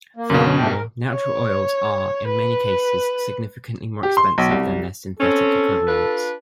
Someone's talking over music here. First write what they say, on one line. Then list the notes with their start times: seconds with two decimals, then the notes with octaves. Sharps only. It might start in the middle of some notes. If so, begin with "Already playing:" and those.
Furthermore, natural oils are in many cases significantly more expensive than their synthetic equivalents.
0.16 A#3
0.30 F#2 B2
0.44 C#4
0.59 A3 D4 G5
0.71 A#4
1.12 C#5
2.27 B4
4.03 G4
4.17 C6
4.38 B1
4.51 C2
5.19 C4 C#4 A4
5.87 D4 F4 B4